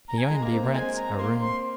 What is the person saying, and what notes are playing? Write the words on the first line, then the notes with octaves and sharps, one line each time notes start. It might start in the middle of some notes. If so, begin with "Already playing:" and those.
He only rents a room.
A#5
G#5
G#3 A#5
A#3
C4
C4
G#3 G#5
A#5
A#3 C6
C4 C6